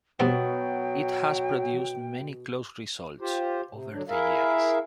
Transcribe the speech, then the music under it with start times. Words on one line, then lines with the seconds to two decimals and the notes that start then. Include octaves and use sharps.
It has produced many close results over the years.
0.20 G2 B2 F#3 B3 C4 F#5 G5
3.20 F4 G4 C5
3.70 C3
3.93 D3 F#3 D4
4.09 E4 G#4 A#4 E5 F5